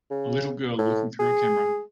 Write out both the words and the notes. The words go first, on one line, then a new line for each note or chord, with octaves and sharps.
A little girl looking through a camera.
C#3
A2
G#4